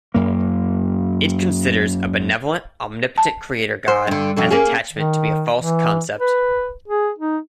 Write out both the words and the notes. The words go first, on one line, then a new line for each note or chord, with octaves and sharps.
It considers a benevolent, omnipotent creator god as attachment to be a false concept.
F#2 A#3
A5
C5
G2 D3
F2 B2 D3
A#3 C#4 G#4
D#3
E3
B4
G#4
D#4